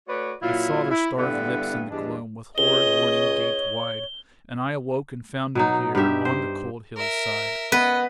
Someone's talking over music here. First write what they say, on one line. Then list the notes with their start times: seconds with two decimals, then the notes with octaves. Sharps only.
I saw their starved lips in the gloam, With horrid warning gaped wide; And I awoke and found me here On the cold hill's side.
0.07 A3 F#4 B4 C#5 D5
0.42 A#2 F#3 E4 F4
0.90 E4
1.16 G2 D3 G3 B3 E4
1.90 E2 G2 G#3 D4
2.58 C#2 C#5 D#5 G7
5.55 B2 F#3 D#4
5.95 G2 D#4 G4 E5
6.25 C5
6.97 A#4 E5
7.72 B3 B4 D#5